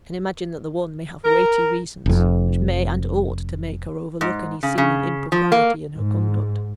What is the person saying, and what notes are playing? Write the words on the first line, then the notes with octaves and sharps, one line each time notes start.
I can imagine that the one may have weighty reasons, which may and ought to make her overlook any seeming Impropriety in her conduct.
A#4
F1 F2
G#2
C#3
C#3
F3
A#3
G#2